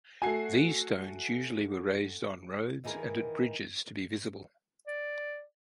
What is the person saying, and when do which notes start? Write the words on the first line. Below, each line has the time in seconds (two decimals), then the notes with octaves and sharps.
These stones usually were raised on roads and at bridges to be visible.
0.22 A3 F#4 G#5 C7
2.84 D#2 D#3 E3 G#4 A#4
4.87 D5